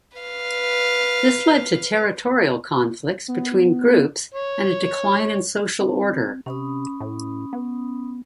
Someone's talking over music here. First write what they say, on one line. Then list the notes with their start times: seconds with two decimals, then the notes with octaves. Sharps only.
This led to territorial conflicts between groups and a decline in social order.
0.17 B4 F5
3.28 B3
4.34 C#5
5.81 C4
6.46 C3 C#4 B5 D#6
7.00 A2
7.53 B3